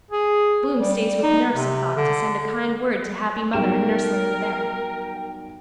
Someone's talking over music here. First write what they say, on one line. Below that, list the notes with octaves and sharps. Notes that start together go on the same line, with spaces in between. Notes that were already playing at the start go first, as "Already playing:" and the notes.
Bloom stays with nurse a thought to send a kind word to happy mother and nurseling up there.
G#4
G3
D#4
C3
D3
B1 G3 A#4 G5 E7